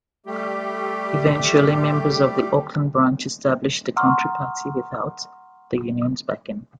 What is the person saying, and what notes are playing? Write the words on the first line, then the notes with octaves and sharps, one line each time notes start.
Eventually members of the Auckland branch established the Country Party without the Union's backing.
G3 A3 G4
F#5 A#5 C6 C#6 D#6 F6